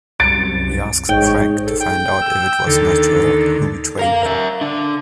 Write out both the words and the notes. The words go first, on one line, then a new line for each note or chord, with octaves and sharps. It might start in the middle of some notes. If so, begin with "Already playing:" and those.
He asks Frank to find out if it was Naturelle who betrayed him.
C2 F#2 A6 C#7 D7
A1 G#2 C#5 D#5 G5
A4
G5
E6
D#2 D3 A4
A#4 F5
A#4 E5
D3 D4